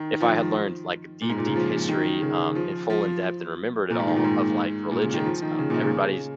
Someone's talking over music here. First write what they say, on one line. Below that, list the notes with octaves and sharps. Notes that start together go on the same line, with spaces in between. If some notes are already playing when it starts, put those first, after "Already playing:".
if I had learned, like, deep, deep history, um, in full in-depth, and remembered it all, of, like, religions, um, everybody's
Already playing: D#3
F3
D#3
A#2
G#2
A#2
C#3
F3
D#3
C#3
F3
F3
A#2
G#2
D#3
A#2
G#2
A#2
C#3
D#3
F3
D#3
C#3
A#2
C#3